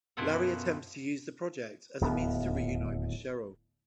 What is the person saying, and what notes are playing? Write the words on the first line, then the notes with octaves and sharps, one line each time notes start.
Larry attempts to use the project as a means to reunite with Cheryl.
F#2 B2 E4 F4 A4
D1 D#2 B3